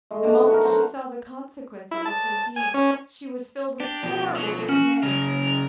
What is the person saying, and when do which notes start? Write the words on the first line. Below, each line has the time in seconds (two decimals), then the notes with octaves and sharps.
The moment she saw the consequences of her deed she was filled with horrible dismay.
0.11 G#3 A3
0.24 C4 D4 F#4
0.37 B3 F#4
0.50 F#4 A#4
0.64 F#3 F#4 A4 C5
1.91 E4
2.05 A5
2.56 G#5
2.74 C#4
3.80 D4 G4
4.03 B2 F3
4.36 F#3
4.69 C#4 F#4
5.03 C#3 F#3 A#4